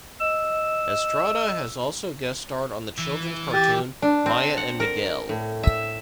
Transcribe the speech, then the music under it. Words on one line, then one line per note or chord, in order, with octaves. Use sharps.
Estrada has also guest-starred on the children's cartoon "Maya and Miguel".
D#5 E6
E3
G4 A6
D4
C4
F#5
A#4
A2
E5